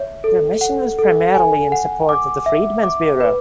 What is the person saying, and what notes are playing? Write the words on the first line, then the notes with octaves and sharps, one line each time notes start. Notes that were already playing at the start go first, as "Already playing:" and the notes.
Their mission was primarily in support of the Freedmen's Bureau.
Already playing: C#5 E5
A4
F#5
A4
G#5
F#5
D6
E5
D6
B4